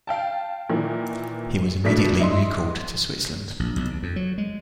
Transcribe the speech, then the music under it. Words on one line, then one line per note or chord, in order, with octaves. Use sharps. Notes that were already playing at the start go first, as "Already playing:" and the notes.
He was immediately recalled to Switzerland.
F5 G5 A5
A#2 D#3 E3
G#1 B2 A3 D4 B6
E4 D#5 C6
A#1
B1
D#2
F2
F#3
G#3